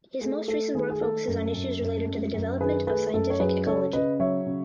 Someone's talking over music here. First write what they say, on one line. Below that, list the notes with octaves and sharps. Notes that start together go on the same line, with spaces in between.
His most recent work focuses on issues related to the development of scientific ecology.
A3 G#4
A3 A4
D#3 G#4
G#4
A3 A4
F#2
F#2
F#2
F#2
F#2
D#3 G#4 B4
A3 G#4 B4
F#2 A4
C#5
F#3 G#4 B4
C#3 A4 C#5
C#3 B4 D#5
F#3 C#5 E5
C#3